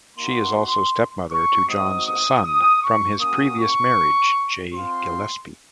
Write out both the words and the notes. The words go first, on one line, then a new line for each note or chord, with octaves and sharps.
She is also step-mother to John's son from his previous marriage, Jay Gillespie.
A#3 D#4 F#4 C6
C#6
G#3 C4 D#4 F#4 D#6
D#6
D#6
C#6
A#3 C#4 F#4 D#6
C#6
C4 F4 C6